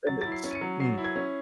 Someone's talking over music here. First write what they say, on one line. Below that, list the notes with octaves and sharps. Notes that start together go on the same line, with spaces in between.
And it's mm.
F#3 A6
E4 A6
C7
C#4
D#7
C#7
F#3
F#3 C7
E4
G#6
C#4